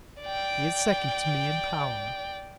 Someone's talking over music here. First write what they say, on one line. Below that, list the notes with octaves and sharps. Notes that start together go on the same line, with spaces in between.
He is second to me in power.
D5 G5